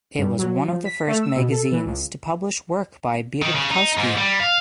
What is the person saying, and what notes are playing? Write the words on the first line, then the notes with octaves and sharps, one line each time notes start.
It was one of the first magazines to publish work by Peter Bakowski.
G2
F#3
F3
B6
A3
E6
B2
A4
E3
C#2
D#3
C#3
D#4
G#2
G3
F5